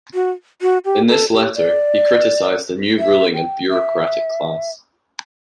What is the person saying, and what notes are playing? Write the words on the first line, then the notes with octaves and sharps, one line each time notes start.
In this letter he criticized a new ruling and bureaucratic class.
F#4
F#4
G4
A4
G4
D5
E5
G5
E5